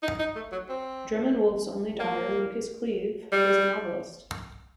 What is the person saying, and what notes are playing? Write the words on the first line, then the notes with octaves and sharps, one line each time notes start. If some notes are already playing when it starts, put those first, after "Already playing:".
Drummond Wolff's only daughter, Lucas Cleeve, was a novelist.
D#4
D#4
A3
F#3
C4
A#3
G3